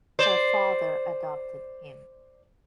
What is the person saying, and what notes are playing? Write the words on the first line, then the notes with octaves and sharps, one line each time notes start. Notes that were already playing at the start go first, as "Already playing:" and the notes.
Her father adopted him.
C5 D5